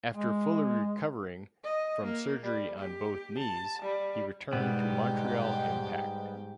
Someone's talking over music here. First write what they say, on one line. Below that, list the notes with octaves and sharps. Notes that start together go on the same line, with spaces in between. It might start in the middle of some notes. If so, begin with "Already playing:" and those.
After fully recovering from surgery on both knees, he returned to Montreal Impact.
G#3
D#5
A#3
G3
G4
A5
G3
G#2 B2 G3 G#3 B3 G4